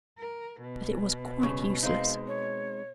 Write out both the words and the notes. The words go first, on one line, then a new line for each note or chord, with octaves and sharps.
But it was quite useless.
A#4
B2
G2 C#3
G#3 C4 D#4 F5
C#5